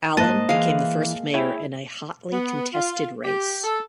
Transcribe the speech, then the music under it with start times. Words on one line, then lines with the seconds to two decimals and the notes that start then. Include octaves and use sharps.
Allen became the first mayor in a hotly contested race.
0.17 G#2 A#3 C5 D#5 A5 F#6
0.49 E3 G#3 E4 F5
1.34 E4 G#4 C#5 E5 G5
2.33 B3
2.74 F4
3.25 G4
3.64 A4